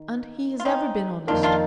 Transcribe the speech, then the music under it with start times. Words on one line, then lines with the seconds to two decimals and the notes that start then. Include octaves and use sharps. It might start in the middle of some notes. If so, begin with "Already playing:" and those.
And he has ever been honest.
Already playing: D#3
0.60 F4
0.65 C4 D#4
1.27 F2 D#3 A#3 D4 D#4 F4 A#4
1.43 D4 F4